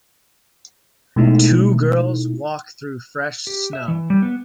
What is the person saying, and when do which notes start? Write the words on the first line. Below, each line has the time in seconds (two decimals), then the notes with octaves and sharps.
Two girls walk through fresh snow.
1.16 B2 G#3 A3 D#4 E4
3.47 G4
3.73 E5
3.88 E3
4.10 G3
4.22 B3